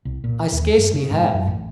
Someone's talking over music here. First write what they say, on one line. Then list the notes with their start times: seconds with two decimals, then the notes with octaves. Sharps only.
"I scarcely have."
0.05 C2
0.24 A#2
0.52 D#2
0.78 G2
0.94 C#3
1.11 G#2
1.34 F#2
1.47 A1